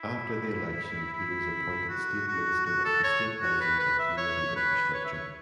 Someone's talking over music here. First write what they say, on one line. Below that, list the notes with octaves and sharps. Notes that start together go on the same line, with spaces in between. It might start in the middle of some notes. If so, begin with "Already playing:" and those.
After the election he was appointed State Minister of Estate Housing and Community Infrastructure.
Already playing: E4
E4
F#4
F#4
F#4
A4
C#5
F#4
B4
B4
E5
C#5
B4
C#5
E5
C#5